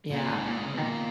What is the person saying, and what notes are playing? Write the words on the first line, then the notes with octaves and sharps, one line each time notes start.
Yeah. I
A#2
G#2
A#2
G#2
C#3
B2
A#2